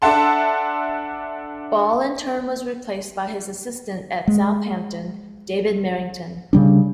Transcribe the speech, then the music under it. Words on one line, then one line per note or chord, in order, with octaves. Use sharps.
Ball in turn was replaced by his assistant at Southampton, David Merrington.
D4 A4 E5 F#5 A5 C6
G#3
C#3 G3 D4